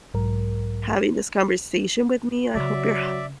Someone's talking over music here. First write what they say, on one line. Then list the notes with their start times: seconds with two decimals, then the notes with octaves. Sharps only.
having this conversation with me. I hope your h
0.14 B1 G#2 F#3 A#4
2.55 C#3 F#3 D5 E5